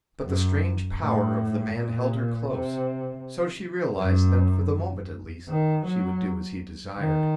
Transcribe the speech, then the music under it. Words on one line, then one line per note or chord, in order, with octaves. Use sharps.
But the strange power of the man held her close, so she realized that for the moment at least she would do as he desired.
F#2
A2
A#2
C3
F#2
D#3
F#3
D#3